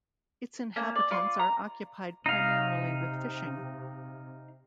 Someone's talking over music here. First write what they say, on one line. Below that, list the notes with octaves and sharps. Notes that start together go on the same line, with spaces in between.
Its inhabitants are occupied primarily with fishing.
A#3 C#4 A5
D5
F4 D5 C6 C#6
A#5
C3 D#4 F5